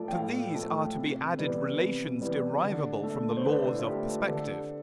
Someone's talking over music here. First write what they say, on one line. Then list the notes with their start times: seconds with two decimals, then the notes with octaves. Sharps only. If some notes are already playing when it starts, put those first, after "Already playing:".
To these are to be added relations derivable from the laws of perspective.
Already playing: A2 F3 A3 D5
0.08 G5
0.12 A2 F5
0.54 F3 A3
0.96 C3
1.38 E3 G3 B3
1.79 C3
2.21 E3 G3 B3
2.63 D3
3.03 A3
3.37 C5
3.45 D3 B4
3.72 E4
3.79 F4
3.86 A3 G4
4.20 G4
4.28 D3 A4